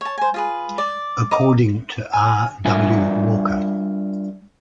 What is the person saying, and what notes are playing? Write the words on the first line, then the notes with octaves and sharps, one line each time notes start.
According to R. W. Walker.
C#5 A5
C5 G#5
F4 G#4 B4
D5
D#5 A#5 D6
G#5
G3 D4 F4 A#4 E5 G#5